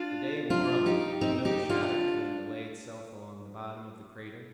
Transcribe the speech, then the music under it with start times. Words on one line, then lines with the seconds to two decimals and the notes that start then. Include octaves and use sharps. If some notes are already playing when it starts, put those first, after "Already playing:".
The day wore on, and no shadow came to lay itself along the bottom of the crater.
Already playing: D4 F4
0.50 D4 F4
0.86 D#4 G4
1.21 C4 D#4
1.45 D#4 G4
1.69 D4 F4